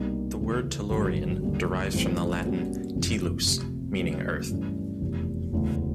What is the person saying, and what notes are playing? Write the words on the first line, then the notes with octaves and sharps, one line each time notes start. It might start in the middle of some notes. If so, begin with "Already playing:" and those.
The word tellurion derives from the Latin "tellus", meaning Earth.
Already playing: C2 B2 G3 A#3 D#4
D2 C#3 E3 A3
G#1 G2 D3 F#3
D#2 D3 G3
A1 G2 E3 A3 C4
B2 G3 A#3 C#4 F#4
F#1 F2 C3 E3
D2 C3 F3
D#2 C#3 F#3 A3 C#4
G2 E3 A3 C#4
F1 E2 C3 E3
E1 D2 C#3 E3